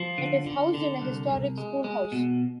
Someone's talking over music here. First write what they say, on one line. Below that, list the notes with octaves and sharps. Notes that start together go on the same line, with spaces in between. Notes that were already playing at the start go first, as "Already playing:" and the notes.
It is housed in a historic schoolhouse.
Already playing: F3
D3
D3
D3
C2
C2
G#3
G#3
B2